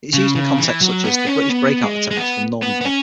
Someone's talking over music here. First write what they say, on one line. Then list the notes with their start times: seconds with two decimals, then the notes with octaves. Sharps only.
It is used in contexts such as: "The British breakout attempt from Normandy".
0.14 C#3
0.36 C#3
0.59 E3
0.81 F#3
1.04 B3
1.27 C#4
1.49 B3
1.83 G#3
2.11 G#3
2.17 B3
2.62 B3
2.81 B3
2.85 C#4